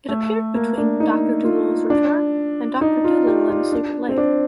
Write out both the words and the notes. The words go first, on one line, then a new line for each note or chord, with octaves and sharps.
It appeared between "Doctor Dolittle's Return" and "Doctor Dolittle and the Secret Lake".
A3
A#3
D4
D#4
F4
D4
D#4
F4
G4
F4
D4
C4
D4